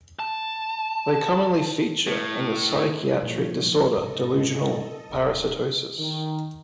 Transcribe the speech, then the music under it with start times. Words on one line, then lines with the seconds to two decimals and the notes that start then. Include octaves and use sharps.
They commonly feature in the psychiatric disorder delusional parasitosis.
0.19 A5
2.07 A2
3.22 G2 A#2 F3 C#5
3.97 G#2 C3 A4 D#5
5.09 D1 F4
5.98 D#3